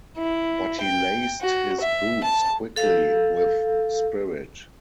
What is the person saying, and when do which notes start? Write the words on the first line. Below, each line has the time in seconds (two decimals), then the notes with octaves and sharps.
But he laced his boots quickly, with spirit.
0.18 E4
0.81 G5
1.41 F#4
1.81 E5
2.24 A5
2.76 A4 F5